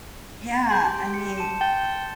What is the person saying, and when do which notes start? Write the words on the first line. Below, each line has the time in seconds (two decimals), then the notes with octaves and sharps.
Yeah, I mean,
0.70 G#4 C6 G6
0.85 G4
1.14 C#7
1.38 A5 E7
1.61 G5 A6 G7